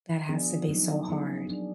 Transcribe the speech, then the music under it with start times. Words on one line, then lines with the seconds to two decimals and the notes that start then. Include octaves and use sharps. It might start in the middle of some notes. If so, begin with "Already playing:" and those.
That has to be so hard.
0.29 F3 B3 D4 G#4
0.69 F#3 A#3 D#4
1.08 F#3 B3 D#4 G#4
1.47 F#3 D4 G#4